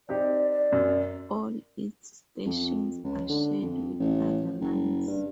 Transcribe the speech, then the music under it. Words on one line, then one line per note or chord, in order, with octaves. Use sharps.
All its stations are shared with other lines.
C4 D#4 G4 D5
D5
F#2
F2
C#2
D3
F2
A1
F#1
G2